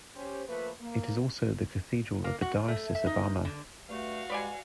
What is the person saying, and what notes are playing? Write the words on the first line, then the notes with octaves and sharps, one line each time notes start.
It is also the cathedral of the Diocese of Armagh.
C#4 G4 C5
F3 A3 A#3 B4
A#3
A#3
F#4
E2
A3
E5
D#4
D3
G2 A3 F#4 F5
G3 G#3 B4 D5 G#5